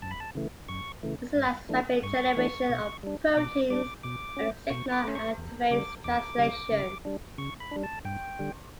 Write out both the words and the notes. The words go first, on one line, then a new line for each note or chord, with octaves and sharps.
This allows rapid generation of proteins when a signal activates translation.
F#2 A5
B5
A5
C#3 E3 A3
F#2 C#6
C#3 E3 A3
G2
E3 A3 D4
G2 C#6
E3 A3 D4
B2
G3 D4
B2 D6
G3 D4 D6
B2 D6
A3 C#4
B2 C#6
D6
A3 C#4
C#6
E2
C#3 G3 D6
E2 D6
C#3 G3
C#3
G3 D4
C#3 C#6
B5
G3 D4
A5
G2 G5
D3 G3